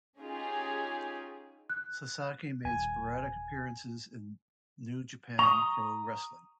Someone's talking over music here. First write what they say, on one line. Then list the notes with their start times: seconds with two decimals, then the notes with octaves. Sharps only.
Sasaki made sporadic appearances in New Japan Pro Wrestling.
0.18 C#4 D#4 F4 G4 G#4
1.70 F#6
2.65 D#1 G#5
5.39 A#5 C#6 D#6